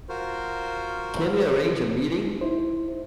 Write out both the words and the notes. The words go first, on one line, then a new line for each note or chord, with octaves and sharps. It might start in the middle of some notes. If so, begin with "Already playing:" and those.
Can we arrange a meeting?
F4 F#4 A#4 C5
D#4 E4 C5